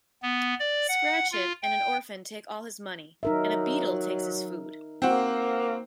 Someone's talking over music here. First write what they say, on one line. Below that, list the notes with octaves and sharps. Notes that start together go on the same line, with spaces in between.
Scratchit and an orphan take all his money, and a beadle takes his food.
B3
D5
F#5
F4
G5
F#3 D#4 A#4 E5
A#3 C4 F#4